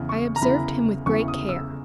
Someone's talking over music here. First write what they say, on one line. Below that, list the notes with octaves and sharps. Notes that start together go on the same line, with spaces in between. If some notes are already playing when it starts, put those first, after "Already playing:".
I observed him with great care.
Already playing: E2 C#3 E3
C#6
A#5
E2 C#3 E3 B5
E2 C#3 E3 C#6
D#6
E6